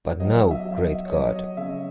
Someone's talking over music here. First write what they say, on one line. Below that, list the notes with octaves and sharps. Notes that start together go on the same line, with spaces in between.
But now, great God!
F#3 D#5
E5
F#3
E5
D#5
C#5
F#3 D#5
D#5
C#3 E5